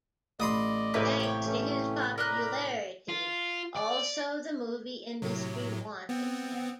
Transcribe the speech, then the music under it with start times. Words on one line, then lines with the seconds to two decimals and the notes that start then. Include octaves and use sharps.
Thanks to his popularity, also the movie industry wanted him.
0.40 A1 D5 D#5 B5 C6 D#6
0.94 A2 C3 A#3 B4 G#5
1.20 G4 C#5
1.46 E3 A3 C#4
2.18 A#4 D5 D#5 A#5 B5 F#6
3.08 F4
3.75 D5
5.22 A2 C3 F#3
6.09 B3 C4